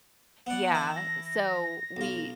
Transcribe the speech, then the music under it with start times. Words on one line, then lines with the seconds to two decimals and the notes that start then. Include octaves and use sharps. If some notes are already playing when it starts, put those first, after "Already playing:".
yeah, so we
0.47 B3 D5 F#5
0.72 E3 E4 A5
0.96 A#6
1.97 B1 F4